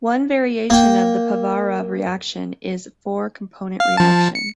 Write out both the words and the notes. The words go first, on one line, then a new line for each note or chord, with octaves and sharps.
One variation of the Povarov reaction is a four component reaction.
A#3 G5
F5
F3 A5
C#7